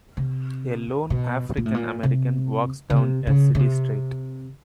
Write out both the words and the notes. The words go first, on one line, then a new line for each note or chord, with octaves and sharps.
A lone African American walks down a city street.
C3
B2
A#2
A2
A#2
C3
C#3
C3
C#3
C#3
C3